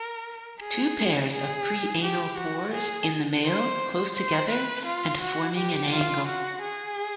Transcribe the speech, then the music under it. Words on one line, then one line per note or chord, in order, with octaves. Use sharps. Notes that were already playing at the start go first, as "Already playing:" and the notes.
Two pairs of preanal pores in the male, close together, and forming an angle.
Already playing: A#4
G#4
G#4
G4
F#4
G#4
C5
C5
B4
F4
F#4
G4
F4
F#4
G#4